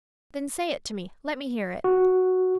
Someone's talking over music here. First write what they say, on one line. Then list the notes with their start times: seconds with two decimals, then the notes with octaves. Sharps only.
"Then say it to me--let me hear it."
1.84 F#4